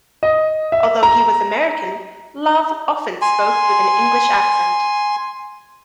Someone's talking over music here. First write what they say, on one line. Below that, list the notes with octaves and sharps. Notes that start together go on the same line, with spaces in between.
Although he was American, Love often spoke with an English accent.
D#5
E5
A#5
G#5 C6